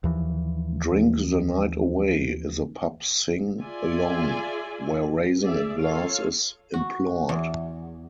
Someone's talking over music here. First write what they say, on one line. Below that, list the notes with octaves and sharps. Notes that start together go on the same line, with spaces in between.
"Drink the Night Away" is a pub sing-along where raising a glass is implored.
D#2 E3 F3
F4 G#4 D5 E5 G#5
G#4 D5 E5
F4 A4 C#5 F5
F#4
E2